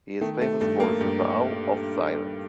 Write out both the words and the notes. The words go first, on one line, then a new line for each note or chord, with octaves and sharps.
He is famous for his vow of silence.
D#3 A3
A3
G2 A3
A#3
G2